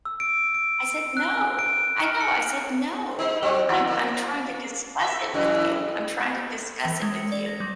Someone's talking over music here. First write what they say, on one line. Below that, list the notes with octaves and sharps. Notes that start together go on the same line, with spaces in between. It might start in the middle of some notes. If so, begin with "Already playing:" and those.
I said, "no, I know." I said, "no, I'm I'm trying to discuss it with you. I'm trying to discuss it with you."
E6
D7
D7
F#6
G#5
D7
F6
C#7
D#4 C5
F#3 C4
F3 E4
A#3
E5
F#2 A2 E3
E3
G#3
C#7
D5
A#6
G3